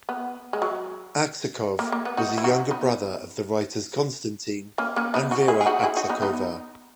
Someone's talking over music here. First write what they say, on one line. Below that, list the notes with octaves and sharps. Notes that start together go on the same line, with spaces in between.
Aksakov was a younger brother of the writers Konstatin and Vera Aksakova.
B3
G#3
F#3
A#3
A#3
B3
D#4 F#4
E4
D#4 F#4
B3 D#4
A#3 C#4
A#3 C#4
B3 D#4
D#4 F#4
E4 G#4
G#4
D#4 F#4
E4 G#4
D#4 F#4
B3 D#4
B3 D#4